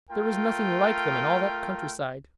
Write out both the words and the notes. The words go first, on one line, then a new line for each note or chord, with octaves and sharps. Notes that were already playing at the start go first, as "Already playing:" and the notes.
There was nothing like them in all that countryside.
A3 F4 A#4 G5